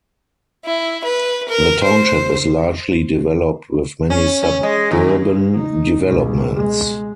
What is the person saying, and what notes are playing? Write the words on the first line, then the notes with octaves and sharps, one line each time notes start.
The township is largely developed with many suburban developments.
E4
B4
A#4
C5
C#4
C#4
G#3
D#2
D#4
C#2 B2
G#3